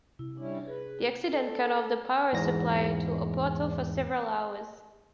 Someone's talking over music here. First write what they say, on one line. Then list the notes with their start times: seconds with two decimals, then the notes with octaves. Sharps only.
The accident cut off the power supply to Oporto for several hours.
0.19 C3 E4
0.37 G3 C#4 D4 E4
0.68 G#4 B4
1.33 A4
2.33 E2 G#2 A#6